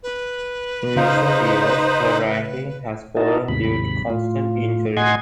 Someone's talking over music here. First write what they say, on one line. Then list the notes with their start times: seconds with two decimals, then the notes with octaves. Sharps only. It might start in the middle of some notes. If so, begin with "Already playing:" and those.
In recent years her ranking has fallen due to constant injury.
0.03 B4
0.96 C#3 D#4 C5 F5
3.17 D#4 E4 F#4 A#4 D#5 A5
3.48 D#2 G#2 C3 B5
4.10 A2 F4
4.97 A2 D#5 F#5 G#5 C6 G#6